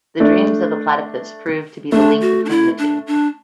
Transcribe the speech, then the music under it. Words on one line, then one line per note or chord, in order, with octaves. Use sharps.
The dreams of a platypus prove to be the link between the two.
A3 D4
A3 D4
F#4
D4
E4
D4
D4